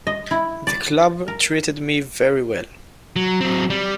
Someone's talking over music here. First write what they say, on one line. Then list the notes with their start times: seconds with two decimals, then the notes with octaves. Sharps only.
The club treated me very well.
0.07 D#5
0.31 E4
0.67 D5
1.28 A#4
3.16 F#3
3.41 F#3 C4
3.70 G3